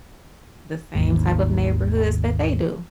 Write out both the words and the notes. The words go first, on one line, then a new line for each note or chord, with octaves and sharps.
the same type of neighborhoods that they do.
G#1 D#2 G#2